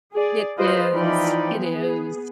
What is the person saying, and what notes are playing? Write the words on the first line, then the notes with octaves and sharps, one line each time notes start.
It is. It is.
G#4 D5
F4 G#4 B4 C5 D#5
E3 F3 D#4 D5 G5 B5
B3 G#4